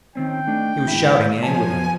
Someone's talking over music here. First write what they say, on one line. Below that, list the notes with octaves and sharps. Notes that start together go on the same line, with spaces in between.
He was shouting angrily.
D#3 C4 C#4 G5
A3 D4 D#4
D#2 G#2 E4
B2 F3 C5 C#5 G#5 A5